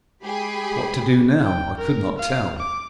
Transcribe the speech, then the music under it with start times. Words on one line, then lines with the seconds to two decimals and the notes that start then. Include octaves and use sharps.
What to do now, I could not tell.
0.23 G#3 G4 G#4 G5 B5 C7
1.45 G5
1.78 A#4
2.18 F5
2.58 D6